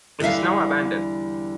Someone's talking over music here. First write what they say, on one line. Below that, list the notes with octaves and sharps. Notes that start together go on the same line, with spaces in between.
It is now abandoned.
E2 D3 G3 E5 F5